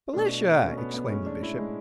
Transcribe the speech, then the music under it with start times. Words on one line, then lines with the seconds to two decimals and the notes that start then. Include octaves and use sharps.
"Felicia!" exclaimed the Bishop.
0.13 B2 A3 D4
0.62 B2 A3 C#4
0.77 B3
0.94 B3
1.10 A2 G#3 C#4
1.26 D4
1.43 E4
1.58 A2 G#3